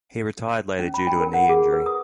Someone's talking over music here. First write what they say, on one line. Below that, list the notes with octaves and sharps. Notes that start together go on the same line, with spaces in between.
He retired later due to a knee injury.
C#4
B5
G5
A#4
F#5
G#4
B4
D#6